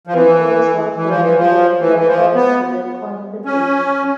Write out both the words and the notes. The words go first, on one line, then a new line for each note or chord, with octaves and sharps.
It flows southwest to the head of LeConte Bay.
F3
E3
E3
F3
E3
F3
E3
E3
F3
B3
C#4